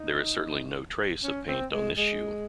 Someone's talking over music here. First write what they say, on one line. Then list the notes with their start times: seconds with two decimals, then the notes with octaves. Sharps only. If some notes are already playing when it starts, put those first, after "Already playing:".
There is certainly no trace of paint on this shoe.
Already playing: D#4
1.24 C#4
1.48 C4
1.72 G#3
1.97 G#3